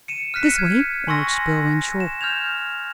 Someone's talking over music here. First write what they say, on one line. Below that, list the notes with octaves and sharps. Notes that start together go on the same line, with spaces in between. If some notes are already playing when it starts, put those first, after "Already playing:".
"This way," urged Bill Renshaw.
C#7 D#7 E7
F6 F#6 B6 C#7
G#6
G#5 C6 C#6 E6 A#6
E7
F6 G6 G#6 F7